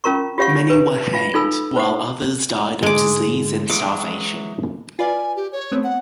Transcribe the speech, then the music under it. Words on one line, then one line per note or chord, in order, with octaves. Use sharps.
Many were hanged, while others died of disease and starvation.
C#4 F4 A#4 A#5 C#6
F4 G4 C#5 F5 F#5 C#6
B4 G#5
F4 F5
D#4 F4 A4 G#5 B5 E6
C5 F#5
G#2 D3 G#3 D6
E3 F#3 G#3 D6
F4 B4 D5 G#5
G4
C#5
A3 B3 C4
F#5